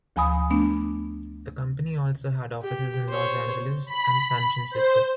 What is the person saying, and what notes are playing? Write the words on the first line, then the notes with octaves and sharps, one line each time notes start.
The company also had offices in Los Angeles and San Francisco.
D2 F3 G#5 B5 D#6
A3 B3 D4
G4
C5 C#5
B5
C5